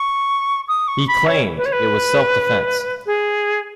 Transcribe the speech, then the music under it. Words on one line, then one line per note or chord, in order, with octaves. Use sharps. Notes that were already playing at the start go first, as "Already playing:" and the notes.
He claimed it was self-defense.
Already playing: C#6
D#6
C#6
B5
C#5
B4
C#5
B4
G#4